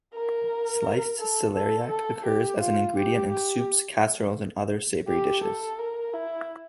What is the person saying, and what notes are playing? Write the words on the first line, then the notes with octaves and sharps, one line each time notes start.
Sliced celeriac occurs as an ingredient in soups, casseroles, and other savory dishes.
A#4
A4
A4
A4
G4
F4
G4
G4
G4
A4
A#4
E4